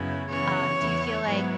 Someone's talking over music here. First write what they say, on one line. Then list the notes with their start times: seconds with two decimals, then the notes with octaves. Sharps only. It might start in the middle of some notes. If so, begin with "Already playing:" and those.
um Do you feel like
Already playing: F#2 C#3 F#3 B3 E4
0.30 C#3 E3 B3 E4 C#5
0.78 E2 E3 B3 E4
1.26 G#2 F#3 B3 E4